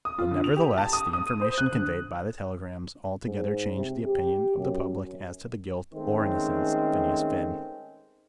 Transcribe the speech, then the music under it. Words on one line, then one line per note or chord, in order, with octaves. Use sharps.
But nevertheless the information conveyed by the telegrams altogether changed the opinion of the public as to the guilt or innocence of Phineas Finn.
D#6
F4
D3
F7
G4
A5
D#6
D#6
D#7
C5
F#6
D3
G#2
C3
G4
F#2
D#3 G#3 A3 C4 C#4